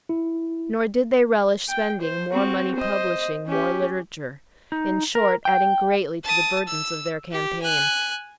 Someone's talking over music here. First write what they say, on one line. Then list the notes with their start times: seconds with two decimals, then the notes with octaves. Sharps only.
Nor did they relish spending more money publishing more literature, in short, adding greatly to the burdens of their campaign.
0.09 E4
1.69 G5
2.01 C5
2.32 C4 F#4
2.75 C5 D#5
3.47 C#4 G4
4.72 D#4
5.15 A#4
5.45 G5
6.24 A5 D#6
6.67 E6
7.31 G4
7.62 G#5 F#6